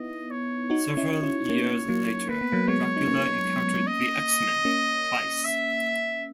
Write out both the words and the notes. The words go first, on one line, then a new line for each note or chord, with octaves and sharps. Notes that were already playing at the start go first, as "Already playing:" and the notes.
Several years later, Dracula encountered the X-Men twice.
Already playing: B3 D#4 E4 D#5
C#5
D#4 F#4
C#4 E4
C#4 E4
A#3 C#4
F#3 A#3
A#3 B4
B3
F#3 A#3
G#3 B3 C#5
D#4
A#3 C#4
D#5
A#3 C#4
E5